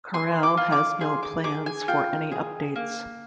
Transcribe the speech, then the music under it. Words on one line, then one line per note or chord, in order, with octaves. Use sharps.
Corel has no plans for any updates.
G#4 C6
D6
F4
D6
G#4 C6
D6
G#4 D6
G#5
F4 G5
G#4
A#3